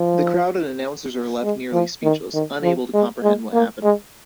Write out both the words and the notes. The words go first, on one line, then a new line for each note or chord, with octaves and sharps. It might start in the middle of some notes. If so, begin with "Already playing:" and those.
The crowd and announcers are left nearly speechless, unable to comprehend what happened.
Already playing: F3
G#3
F3
D#3
D#3
F3
G#3
G#3
A#3
G#3